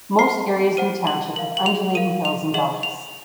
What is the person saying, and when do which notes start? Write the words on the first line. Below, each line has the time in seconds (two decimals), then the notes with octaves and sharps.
Most areas in the township have undulating hills and gullies.
0.19 C5 C7
0.24 F#5
0.77 C5 F#5 D#7
1.07 F#7
1.36 A#4 F5 F#7
1.57 F#7
1.66 F7
1.95 A#4 F5 D#7
2.25 F7
2.54 G#4 D#5 F#5 F#7
2.83 F7